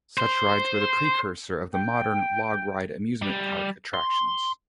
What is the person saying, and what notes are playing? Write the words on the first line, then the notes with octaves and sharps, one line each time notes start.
Such rides were the precursor of the modern log-ride amusement park attractions.
C5
G5
G3
C6